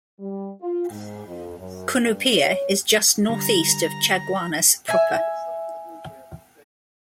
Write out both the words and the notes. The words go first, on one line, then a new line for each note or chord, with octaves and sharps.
Cunupia is just northeast of Chaguanas proper.
G3
F4
G#2
F2
F#2
G2
C#5
D3 G3 A#5
E5 G#5